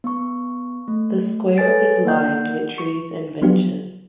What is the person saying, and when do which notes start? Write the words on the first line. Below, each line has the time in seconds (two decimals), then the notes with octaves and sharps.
The square is lined with trees and benches.
0.04 B3 C#6
0.88 A3
1.57 A4 B4 C#5 G#5 A6 D7
2.05 A#3 D5 F#5 G6
2.78 C#6
3.42 F3 F#3 B3 D4 F4 G4